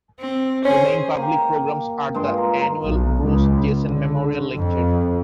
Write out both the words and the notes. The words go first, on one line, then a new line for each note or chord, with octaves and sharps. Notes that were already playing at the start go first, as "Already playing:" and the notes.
The main public programs are the annual Bruce Jesson Memorial Lecture.
C4
C#4 G#4 C5
A#3 G4
G2 G#3 F4 C6
A#4
B1
C#2
D3
F2